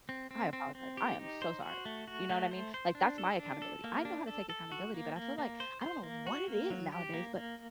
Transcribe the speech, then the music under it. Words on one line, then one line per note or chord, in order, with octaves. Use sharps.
"I apologize. I am so sorry." You know what I mean? Like, that's my accountability. I know how to take accountability, but I feel like I don't know what it is nowadays, but
C4
C4
C4
C4
G4
D#4
C5
F#4
A3
F#4
A3
C5
C5
D4
A4
D4
A4
A#3
D4
A4
A4
F#4
A#3
A#3
A#3
C5
C5
A#3
F#4
A#3
F#3
G4
A#3
A#3